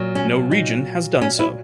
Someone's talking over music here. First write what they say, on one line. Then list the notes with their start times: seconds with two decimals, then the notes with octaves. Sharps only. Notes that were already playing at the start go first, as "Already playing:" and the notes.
No region has done so.
Already playing: A#2 F#3
0.15 C#4
0.51 D#4
1.21 C#4
1.39 E4